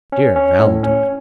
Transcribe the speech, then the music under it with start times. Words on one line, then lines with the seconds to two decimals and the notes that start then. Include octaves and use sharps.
"Dear Valentine!"
0.12 C#4
0.36 C#4
0.59 A2
0.83 C#4